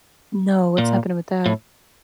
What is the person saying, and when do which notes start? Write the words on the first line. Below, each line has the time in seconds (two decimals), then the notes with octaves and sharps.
No, what's happening with that?
0.78 A#2
1.46 A2